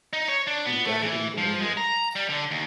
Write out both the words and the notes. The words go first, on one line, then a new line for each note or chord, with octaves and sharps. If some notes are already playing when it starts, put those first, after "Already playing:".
He died in Bologna.
D#4
C#5
D4
B3
A3
E3
F3
G#3
A#5
G3
D3
D#2